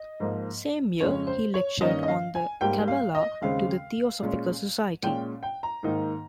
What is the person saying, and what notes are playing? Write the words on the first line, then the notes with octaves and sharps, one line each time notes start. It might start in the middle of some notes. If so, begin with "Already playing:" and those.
Same year he lectured on the Kabbalah to the Theosophical Society.
Already playing: D#5
G#2 F3 A#3
F2 C#3 G#3 C#4 C#5
C5
C#5
G2 D#3 A#3 C#4 D#5
D#5
F5
G#5
G#2 G3 A#3 G5
F5
D#5
D#2 C#3 G#3 C4 F5
A#2 G#3 C#4
A#2 G#3 C#4 G5
G5
A#5
G#2 D#3 A#3 D#4